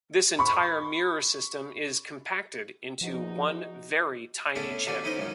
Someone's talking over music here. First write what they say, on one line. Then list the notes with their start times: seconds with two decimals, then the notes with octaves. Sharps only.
This entire mirror system is compacted into one very tiny chip.
0.39 B5 C#6
3.01 E2 F3 D#4 F#4
4.55 A3 B3 C#4 D4 E4
4.87 A1 B2 A3 C#4 D4 D5
5.04 C#4 D#4 E4 B4 C5 D#5
5.17 C#2 F#2 D#3